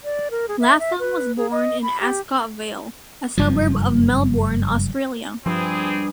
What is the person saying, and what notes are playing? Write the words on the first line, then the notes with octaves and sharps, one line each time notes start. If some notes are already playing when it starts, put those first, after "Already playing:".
Latham was born in Ascot Vale, a suburb of Melbourne, Australia.
D5
A#4
G#4
E5
E5
B4
G#4
D#5
B5
G4
F#1 G2 F3
G2 F3 C4 G#4 D6